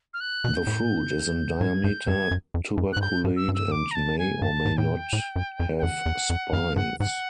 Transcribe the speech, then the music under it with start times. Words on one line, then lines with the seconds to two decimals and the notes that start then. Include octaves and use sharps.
The fruit is in diameter, tuberculate, and may or may not have spines.
0.14 F6
0.20 F#6
0.44 B2
0.56 G6
0.67 A2
1.61 G#2 G#6
1.84 G2 G6
2.08 F#2 G#6
2.31 F#2
2.54 F2
2.77 F#2
2.93 G#2 F#6
3.01 G2 G6
3.24 G2
3.36 E6
3.48 G2
3.54 E6
3.72 D6
3.91 A#5
3.95 A5
4.18 G#5
4.42 G2 A5
4.65 G#2
4.77 A2 G5
4.89 A#2
5.13 A2
5.36 F#2
5.60 F2
5.78 G5
5.83 F2 F#5
6.06 E2
6.30 F2
6.53 F#2 F5
6.76 G2 F#5
7.00 G#2 F#5